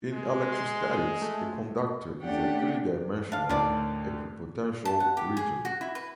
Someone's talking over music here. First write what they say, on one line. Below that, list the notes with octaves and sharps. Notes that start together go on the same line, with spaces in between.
In electrostatics a conductor is a three-dimensional equipotential region.
G#3
C6
A3
A3 C#4 D4 G4 F#5 G5
D4 F5
D2 A2 D#3 D4 D5
A5
F#5
G4
G#4
F#4
E4
B4